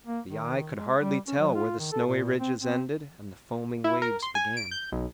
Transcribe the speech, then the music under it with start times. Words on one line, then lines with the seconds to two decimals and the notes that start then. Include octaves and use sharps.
The eye could hardly tell where the snowy ridges ended and the foaming waves began.
0.07 A#3
0.28 D#3
0.76 G#3
0.99 G3
1.28 C#4
1.39 F#3
1.56 F4
1.79 D#3
1.92 A4
2.06 A#2
2.39 C4
2.60 C4
3.84 E4
4.02 A#4
4.22 C6
4.35 G#5
4.57 D7
4.71 G6
4.92 B1